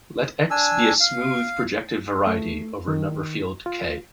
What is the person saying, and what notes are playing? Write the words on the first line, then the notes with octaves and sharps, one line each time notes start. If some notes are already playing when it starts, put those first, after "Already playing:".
Let "X" be a smooth projective variety over a number field "K".
D4 G#5 E6
F5
A3
D#3
F4